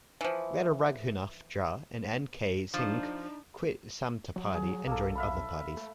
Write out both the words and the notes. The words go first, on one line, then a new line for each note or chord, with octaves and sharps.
Later Raghunath Jha and N. K. Singh quit Samta Party and joined other parties.
E3 F3
F3 D4 D#4
F#3
G#4
B1 A#3 A4
E5 F5 B5
A3